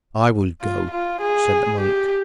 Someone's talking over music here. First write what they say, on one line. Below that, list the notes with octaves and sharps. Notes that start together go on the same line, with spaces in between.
"I will go," said the monk.
F4
F4
G#4
G4